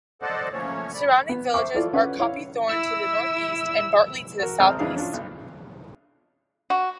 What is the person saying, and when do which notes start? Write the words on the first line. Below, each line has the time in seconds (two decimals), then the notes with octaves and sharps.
Surrounding villages are Copythorne to the northeast, and Bartley to the southeast.
0.22 A4 C5 D5 D#5 F#5 A5
0.52 F3 A3 A#3 C#4 C#5
0.94 D5 B5
1.29 B3
1.54 C5 E5 C#6 D6
1.75 E4 F4 A4 D5
1.93 C#4 B4 F#5
2.20 E4 C#5 F5
2.69 E4 E6
4.40 F#4 A#4
4.60 A1 G#3 C4 A#5 D#6 F6
4.79 F2 E3 D4 E4 G#4 F5
4.96 C#4 D4 F4
5.13 B1
6.70 F#4